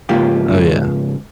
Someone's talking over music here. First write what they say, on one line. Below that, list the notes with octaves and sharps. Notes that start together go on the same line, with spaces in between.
Oh, yeah.
C#2 G#2 A#3 F4 G4